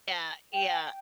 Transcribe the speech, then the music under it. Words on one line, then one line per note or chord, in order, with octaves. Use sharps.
Yeah, yeah.
G5